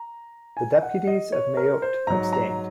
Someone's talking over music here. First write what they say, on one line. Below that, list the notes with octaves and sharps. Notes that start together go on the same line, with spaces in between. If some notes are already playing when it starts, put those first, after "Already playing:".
The deputies of Mayotte abstained.
Already playing: A#5
G#5
F#5
D#5
C#5
A#4
C5
G#2 F#3 A#5
A#5